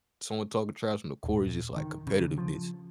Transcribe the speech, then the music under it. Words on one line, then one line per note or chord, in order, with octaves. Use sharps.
someone talking trash on the court is just, like, competitiveness.
D#1
D#3
C#3
F3